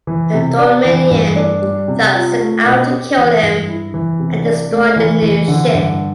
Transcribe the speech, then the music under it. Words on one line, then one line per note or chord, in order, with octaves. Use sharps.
The Dominion thus set out to kill him and destroy the new ship.
E3
C3
D4
E3
G2
D4
G3
C3
F4
A3
B2
G4
E3
G2
E4
E3
C3
D4
A3
E3
E3
D3
G2